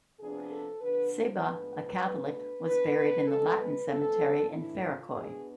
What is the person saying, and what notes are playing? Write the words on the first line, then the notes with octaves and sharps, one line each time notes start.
Sebah, a Catholic, was buried in the Latin cemetery in Ferikoy.
C3 F3 B3 D4 G#4
A4
D3 F3 B3 D4 B4
C5
A2 F3 G#3 B3 D4 B4
B2 A3 D4 B4
E3 B3 D4 B4
E3 G#3 C4 A4
B4
E3 A3 C4 A4
A2 E3 A3 D4 E4
F4
B2 B3 D4 G#4